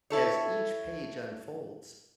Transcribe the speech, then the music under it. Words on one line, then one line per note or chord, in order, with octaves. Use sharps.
as each page unfolds,
E4 A4 C#5